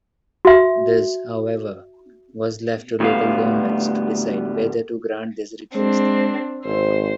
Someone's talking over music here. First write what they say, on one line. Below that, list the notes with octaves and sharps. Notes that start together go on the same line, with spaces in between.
This however was left to local governments to decide whether to grant this request.
F#4 E5
D2 A2 G3 B3 F5
G#3 C4 D4
G#1 C5